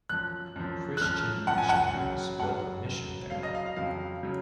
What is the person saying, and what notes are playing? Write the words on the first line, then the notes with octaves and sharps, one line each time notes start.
Christian missionaries built a mission there.
F#2 F3 F#6
F#2 F3
F#6
F#2 F3 F6
F#2 F3 F#5
G#5
F#5
F#2 C#3 F#3
F#2 C#3 F#3 F#5
F#2 C#3 F#3
F#2 C#3 F#3 F5
D#5
F5
F5
F2 C#3 F#3 F5
C#3 F#3